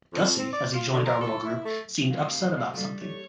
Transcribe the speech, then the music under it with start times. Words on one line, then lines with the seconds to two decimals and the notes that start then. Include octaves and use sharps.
Gussie, as he joined our little group, seemed upset about something.
0.13 F2
0.38 C4
0.51 D5
0.73 F4
0.93 D3
1.05 A#4
1.20 A4
1.45 E4
1.64 A3
2.10 D2 C3 F5
2.74 G3 A3
3.01 G4 C#5